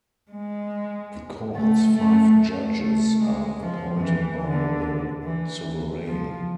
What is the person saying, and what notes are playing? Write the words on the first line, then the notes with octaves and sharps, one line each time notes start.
The Court's five judges are appointed by the Sovereign.
G#3
A3
A3
A3
A3
G#3
F3
E3
D3
E3
F3